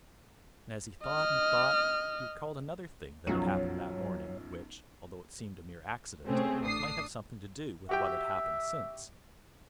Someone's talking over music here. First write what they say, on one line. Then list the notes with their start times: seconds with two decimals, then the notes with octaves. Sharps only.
And as he thought and thought, he recalled another thing that had happened that morning, which, although it seemed a mere accident, might have something to do with what had happened since.
1.05 D#5 F6
3.27 B1 F#2 F3 F#3
6.26 C3 A3 C4 C#4 G#4
6.64 A1 D4 D#6 C7
7.89 F#4 G4 E5 G5